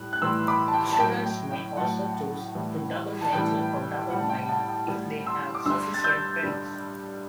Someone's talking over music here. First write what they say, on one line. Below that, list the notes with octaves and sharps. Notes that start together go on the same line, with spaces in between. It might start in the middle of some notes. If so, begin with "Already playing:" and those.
Students may also choose to double-major or double-minor if they have sufficient credits.
Already playing: A2 G3 F#6
F#6
A2 E3 G3 C6 E6
B5 D6
A5
G5
A5
A2 F#3 G5
G5
G5
A2 F#3 F#5 A5
A2 E3 G3
A5
A2 E3 G3 G5
A2 G3 F#5
A5
G5
F#5 A5
G5
A2 G3 G5
C6 E6
D6
G2 D3 G3 C6 E6
A6
E6 G6
G2 D3 G3